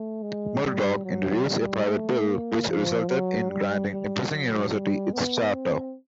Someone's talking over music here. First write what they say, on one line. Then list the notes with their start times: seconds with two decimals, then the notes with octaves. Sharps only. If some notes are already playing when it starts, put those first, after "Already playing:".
Murdock introduced a Private Bill which resulted in granting Nipissing University its charter.
Already playing: A3
0.22 G#3
0.63 G3
1.04 F#3
1.44 G3
1.86 A3
2.27 A#3
2.68 F3
3.08 F#3
3.50 G3
3.90 G3
4.30 F#3
4.72 G3
5.13 B3
5.53 C4